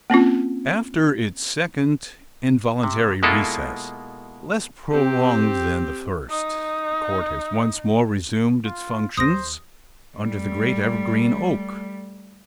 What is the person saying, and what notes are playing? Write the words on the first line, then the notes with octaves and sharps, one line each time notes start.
After its second involuntary recess--less prolonged than the first--the Court has once more resumed its functions under the great evergreen oak.
A#3 C4 C#4 F4
C3
B2 G#3 A#3 E4 F4 A4
C4 G4
D#4 D#6
F4
D#2 C5 D#6 A#6
G3 A3